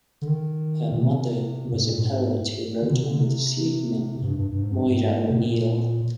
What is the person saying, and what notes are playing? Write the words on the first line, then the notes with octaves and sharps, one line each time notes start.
Her mother was a poet who wrote under the pseudonym "Moira O'Neill".
D3
D#3
A#2
C3
G#2
A#2
G#2
D3
C3
D3
C3
G#2
G2
G2
G2
G#2
G2
G#2
C3
A#2